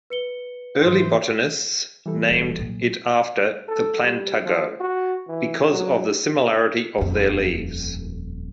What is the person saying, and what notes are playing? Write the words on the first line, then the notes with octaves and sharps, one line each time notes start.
Early botanists named it after the "Plantago" because of the similarity of their leaves.
B4 C#7 G7
G#2 E3 C5
E3 G3 A4
D1
A#2 F#3
A4
G3
F3
F#4
E3
F#3
D#1 F2